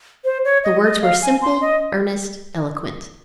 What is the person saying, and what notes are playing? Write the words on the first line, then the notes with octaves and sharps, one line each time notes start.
The words were simple, earnest, eloquent.
C5
C#5
D#5
D#5
F5
G#5
C6
D#5